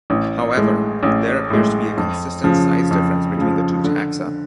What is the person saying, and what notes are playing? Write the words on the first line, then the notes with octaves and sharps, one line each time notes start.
However, there appears to be a consistent size difference between the two taxa.
A1
A2 G#3
A1
A2 G#3
F2
C#3 F3
F2
C#3 F3
D3